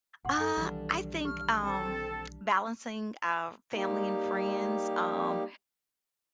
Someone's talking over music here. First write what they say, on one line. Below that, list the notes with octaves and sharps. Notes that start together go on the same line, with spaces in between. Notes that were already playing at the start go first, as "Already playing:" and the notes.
Uh, I think, um, balancing, uh, family and friends, um,
G1 B2 F#5 C6
F#2 A4 G#5
B1 D#3 E3 G3 D4
G4 F6
C4 A4
G3 A#3 D#4 G4